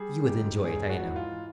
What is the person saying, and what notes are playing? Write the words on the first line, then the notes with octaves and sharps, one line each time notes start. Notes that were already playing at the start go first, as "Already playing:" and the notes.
You would enjoy it, I know.
Already playing: G3 G#4
G#2 G4
G#2 G#4
F#4
E3
F4